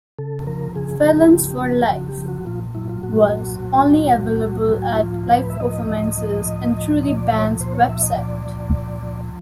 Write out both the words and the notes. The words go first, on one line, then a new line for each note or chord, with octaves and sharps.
"Felons for Life" was only available at live performances and through the band's website.
C#3 A4
F3 A#4
C#3 G#4
F3
C#3 G4
F3 F#4
C#3 F#4
G4
F3
F#4
A#2 F4
F#3 E4
F4
A#2 F#4
F#3
A#2
F#3
A#2
F#3
A2 F#4
E4
F3 F4
A2 B4
E5
F3 D#5
A2
F3
A2
F3
A#2 D#5
D5
F3 C#5
A#2 C5
C#5
F3 E5
D#5
A#2 D5
F3
A#2
F3